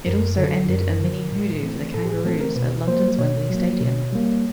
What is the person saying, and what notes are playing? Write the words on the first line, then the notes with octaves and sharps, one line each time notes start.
It also ended a mini-hoodoo for the Kangaroos at London's Wembley Stadium.
F#2 A#4
D3 F#3 A4
F#2 A#4
D3 F#3
A2
E3 A3 C4
A2 A4
G4
G#4
E3 A3 C4 A4
A#4
B2 B4
F#3 A#3 C5
B2 C#5
F#3 A#3
B2
G3 A#3